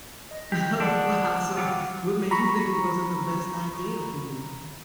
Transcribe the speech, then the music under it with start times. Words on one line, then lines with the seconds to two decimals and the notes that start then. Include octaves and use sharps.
Oh, wow, so, what made you think it wasn't the best idea for you?
0.31 D#5
0.52 G4
0.80 D4 G#4 D5 F#5
1.57 F#3 G3 F4 F#5 D6
2.31 A#5 B5 C#6